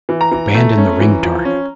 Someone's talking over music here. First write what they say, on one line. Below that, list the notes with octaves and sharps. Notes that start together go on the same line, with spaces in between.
Abandon the ring target.
E3
A#5
E3
A3
C#4
E3
F3
C#4